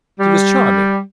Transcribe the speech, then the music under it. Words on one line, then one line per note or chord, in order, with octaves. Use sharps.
She was charming.
G3